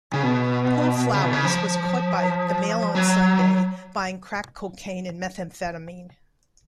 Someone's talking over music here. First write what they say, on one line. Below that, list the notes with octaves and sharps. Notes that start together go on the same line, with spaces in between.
Paul Flowers, was caught by the "Mail on Sunday" buying crack cocaine and methamphetamine.
C#3
B2
C#3
B2
C#3
F3
F#3